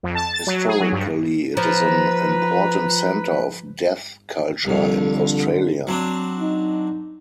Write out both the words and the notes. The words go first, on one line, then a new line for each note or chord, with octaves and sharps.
Historically it is an important centre of deaf culture in Australia.
F2
A5
A6
F#3
G#4
F#3
G2
F3 B4 A#5
C2 F2 D3
F#3 C4 D4
D#4